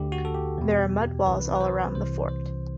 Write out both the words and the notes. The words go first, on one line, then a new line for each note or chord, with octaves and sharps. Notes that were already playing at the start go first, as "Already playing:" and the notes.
There are mud walls all around the fort.
Already playing: D2 D3 G4
F#4
A4
G4
E2 B2
C2 C3 E3 B4
B4
C5
C2 C3 E3 C5
C5